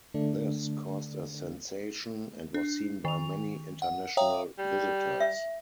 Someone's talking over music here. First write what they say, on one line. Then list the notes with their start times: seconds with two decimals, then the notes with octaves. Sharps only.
This caused a sensation and was seen by many international visitors.
0.14 D3 A3 D4
2.54 D4
3.05 D#3 F7
3.82 F#5
4.17 C#5 E5 F5 G5 A#5 D#6
4.58 G3
5.20 E5